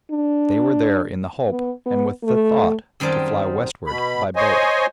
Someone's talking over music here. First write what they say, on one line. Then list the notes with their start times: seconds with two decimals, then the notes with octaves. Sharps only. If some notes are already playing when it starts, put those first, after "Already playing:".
They were there in the hope, and with the thought, to fly westward by boat.
0.11 D4
1.50 B3
1.86 B3
2.23 A3
3.00 F#2 D#3 G3 C4 G#4 A5
3.87 B2 B5
4.36 C5 C#5 D#5 G#5